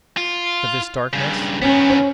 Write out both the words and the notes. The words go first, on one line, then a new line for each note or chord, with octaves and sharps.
"But this darkness?"
F4
G2 C#3
D#3 B3 C#4